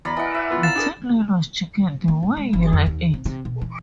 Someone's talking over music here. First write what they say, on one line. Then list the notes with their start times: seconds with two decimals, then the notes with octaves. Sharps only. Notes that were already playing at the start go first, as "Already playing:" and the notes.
The tag line was Chicken the way you like it.
0.05 E2 D5 A#5 B5
0.17 E3 D#5 F#5
0.34 E5
0.50 B3 F4
0.63 F5 A#5 A6 E7
0.76 D4 G#4 A#4
2.08 A#3
2.23 G2
2.37 G#3
2.53 G1
2.73 F2
2.86 D#2
3.14 C3
3.26 C3
3.45 B2
3.62 E3